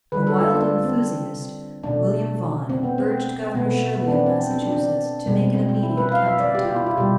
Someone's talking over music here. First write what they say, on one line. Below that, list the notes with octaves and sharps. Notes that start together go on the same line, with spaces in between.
A wild enthusiast, William Vaughan, urged Governor Shirley of Massachusetts to make an immediate counter-attack.
D3 G3 B4
A4
F4
D4
C4
B2 A3 D4
C4
B3
C4
B2 A3 B3
B3
D4
C4
C4
C4
D4
D4
B2 G3
C4
C4
C4
E4
B4
F5
E5
D5
G4
F4
E4
F4
B2 G3 G4